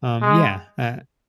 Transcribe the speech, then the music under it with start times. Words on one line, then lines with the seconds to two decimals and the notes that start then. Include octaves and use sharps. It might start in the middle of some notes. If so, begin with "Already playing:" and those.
Um, yeah, eh,
0.22 G#3